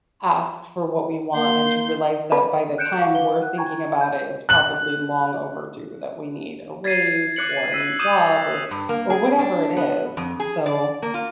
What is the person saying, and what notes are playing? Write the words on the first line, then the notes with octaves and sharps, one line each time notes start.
ask for what we want and to realize that by the time we're thinking about it, it's probably long overdue that we need a raise or a new job or or whatever it is, so
A#3 C6 G6
B4
F#6 G6 C#7 D7 E7
F5 F#5 G#5 C#6 D6
B4 F5 G7
F#5 F#6
G5 G#5 A#5 C#6 G#6
G6
F#6 F#7
G#6 A6 B6 C7 D#7
D6 F#6 C#7 F#7
E6 B6 D#7
D6 D#6 G6 D#7 E7
G2
A#3
G#4
D4
B3
F2
G#4
D5
A#3
F4